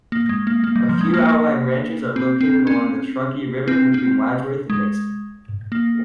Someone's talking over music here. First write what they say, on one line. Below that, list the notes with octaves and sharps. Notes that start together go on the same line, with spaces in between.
A few outlying ranches are located along the Truckee River between Wadsworth and Nixon.
A#3
G#3
A#3
A#3
G3
F3
G#3
A#3
C4
C4
C#4
C4
C4
G#3
A#3